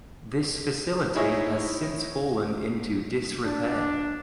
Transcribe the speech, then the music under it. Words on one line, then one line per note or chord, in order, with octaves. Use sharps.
This facility has since fallen into disrepair.
D#4 E4 G#4 C#5 D#5 E5
D4